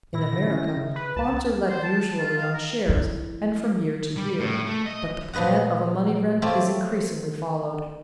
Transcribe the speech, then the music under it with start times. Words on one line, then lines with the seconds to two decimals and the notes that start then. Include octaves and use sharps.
In America farms are let usually on shares, and from year to year, but the plan of a money rent is increasingly followed.
0.14 A#2 E4 A#6
0.33 D3
0.50 C#4
0.77 C#3
0.96 B4
1.16 C#2 A5
1.69 C5
1.83 A5
1.96 A5
2.19 F4
2.37 F5
2.54 A#4
2.88 F3 E4
4.17 G3
4.39 A2
4.66 A3
4.86 D#5
5.33 A#2 F3 B4 D#5 F#5
6.42 A3 C4 F4 C#5 D5